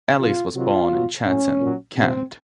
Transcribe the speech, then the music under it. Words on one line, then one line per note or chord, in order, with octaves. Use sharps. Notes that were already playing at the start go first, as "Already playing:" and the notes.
Ellis was born in Chatham, Kent.
C3 F3 F4
C3 D#3 F#3 F4
B2 F#3
A2 F#3 C#4
A#2 F#3
C3 F3 C4